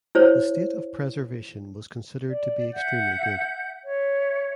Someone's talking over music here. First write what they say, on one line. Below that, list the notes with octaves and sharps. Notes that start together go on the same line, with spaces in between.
The state of preservation was considered to be extremely good.
E4 C5 C#5
D5
E5 F#5 G6
C#5 E5